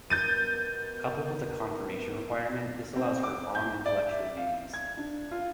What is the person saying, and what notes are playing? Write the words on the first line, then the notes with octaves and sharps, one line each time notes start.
Coupled with the confirmation requirement, this allows for long, intellectual games.
B2 B3 A#4 G6 A6 D#7
C4
D6
G6
D5
E5
F5
G#6
D4
F4